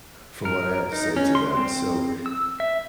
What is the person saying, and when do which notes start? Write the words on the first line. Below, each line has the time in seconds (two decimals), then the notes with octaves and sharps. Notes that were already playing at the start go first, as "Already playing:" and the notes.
from what I have to say to them.” So,
0.45 A#4
0.93 D#4
1.16 C#4
1.35 C6
1.57 C4
2.26 E6
2.60 E5